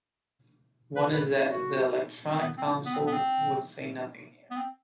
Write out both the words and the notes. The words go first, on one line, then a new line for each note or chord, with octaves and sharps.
One is that the electronic console would say Nothing here.
B4
B4
F#4
C4
B3
C4
B3
C4
B3
C4
B3
C4